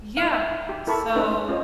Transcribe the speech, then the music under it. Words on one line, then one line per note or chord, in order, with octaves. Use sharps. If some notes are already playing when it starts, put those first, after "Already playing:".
Yeah. So
D#4 F5
E5 F5
G4
E4 A4 A#4 A5 B5 C#6
C#4 D#4 B4
C#4 F4 C5 C#5 D#5